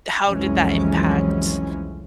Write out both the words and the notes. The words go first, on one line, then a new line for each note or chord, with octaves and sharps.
how did that impact
C2 F2 E3 F#3 G#3 C#4